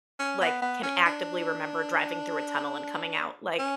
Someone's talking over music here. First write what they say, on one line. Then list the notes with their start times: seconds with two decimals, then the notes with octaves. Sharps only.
like, can actively remember driving through a tunnel and coming out, like,
0.19 C#4
0.41 B3
0.62 B3
0.83 C#4
1.05 D4
3.59 C#4